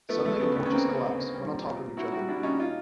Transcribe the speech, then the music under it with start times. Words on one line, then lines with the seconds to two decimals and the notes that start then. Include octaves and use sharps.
Suddenly the porches collapse, one on top of each other.
0.09 F3 A3 B3
0.25 D2 A3
0.40 C#3 A3 B3
0.55 D2 A3 B3
0.65 C#4
0.71 C#3 A#3 C4
0.88 C#3
1.03 C#3
1.18 D2
1.34 G3
1.50 A#2
1.65 A#2
1.81 A#2
1.97 A#2 E4 F#4
2.12 G3 E4 F#4
2.28 G3 D4 E4
2.43 A#2 C#4 D#4
2.59 D#4 F4